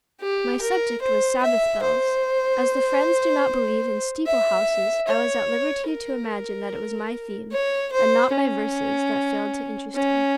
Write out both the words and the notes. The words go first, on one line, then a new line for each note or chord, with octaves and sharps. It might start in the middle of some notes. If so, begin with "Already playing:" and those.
My subject was "Sabbath Bells." As the Friends do not believe in "steeple-houses," I was at liberty to imagine that it was my theme, and not my verses, that failed to interest him.
G4
A#4
C5
E5
C5
E5
C#5
A#4
C#5
C5
C#4
C#4